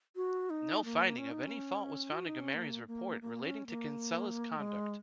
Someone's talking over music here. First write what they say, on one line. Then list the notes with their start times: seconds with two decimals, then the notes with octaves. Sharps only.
No finding of any fault was found in Gomery's report relating to Kinsella's conduct.
0.16 F#4
0.50 D#4
0.85 A#3
1.18 C#4
1.31 D#4
1.44 C#4
2.12 F#4
2.26 D#4
2.40 C#4
2.54 A#3
2.87 A#3
3.22 A#3
3.44 C#4
3.67 A#3
4.58 G#3